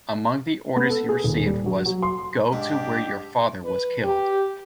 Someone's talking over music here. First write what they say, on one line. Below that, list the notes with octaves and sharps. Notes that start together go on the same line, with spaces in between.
Among the orders he received was "go to where your father was killed".
B3
A4
G#4
D#1
G3
F#3
F#3
C6
G#2 D4 G4
B4
G4